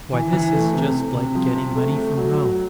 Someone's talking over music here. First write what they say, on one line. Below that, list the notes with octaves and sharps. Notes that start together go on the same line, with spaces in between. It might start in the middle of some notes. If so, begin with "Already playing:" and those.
"Why, this is just like getting money from home."
E3
E3
A3
C3
C3
C3
F3
C3
A3
A3
F#3
F#3